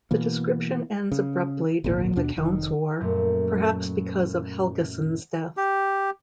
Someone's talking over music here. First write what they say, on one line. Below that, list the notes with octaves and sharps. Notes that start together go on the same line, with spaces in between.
The description ends abruptly during the Count's War, perhaps because of Helgesen's death.
B2 E3 A#3
C#3
G#1 D2 A#2
D#2 B2 D4
F1 D#3
F#2 A#2 F#3 A3
G4